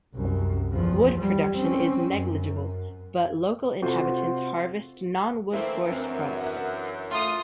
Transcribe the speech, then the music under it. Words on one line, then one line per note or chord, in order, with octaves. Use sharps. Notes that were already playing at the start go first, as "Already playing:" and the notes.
Wood production is negligible, but local inhabitants harvest non-wood forest products.
C2 F#2
E2 F3
G3
C4 C#4
F#2
C3 F4 F#4 A4 C5
D3 E3 A3 A#3 C4 E4 A#4
F#2 C4
E5 F#5
A3 F4 D#6